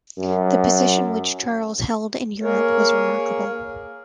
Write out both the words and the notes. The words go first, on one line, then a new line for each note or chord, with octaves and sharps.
The position which Charles held in Europe was remarkable.
F#2
A#3 G#4 A#4 C#5